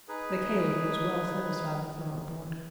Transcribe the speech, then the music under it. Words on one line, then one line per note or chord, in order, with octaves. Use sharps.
The Caliph was well satisfied with my report.
D#4 G#4 B4